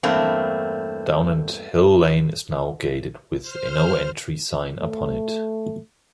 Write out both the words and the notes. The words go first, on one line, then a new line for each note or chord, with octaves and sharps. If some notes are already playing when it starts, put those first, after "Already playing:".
Downend Hill Lane is now gated with a no entry sign upon it.
E2 G2 A3 A#3 C4
C5 F6
A3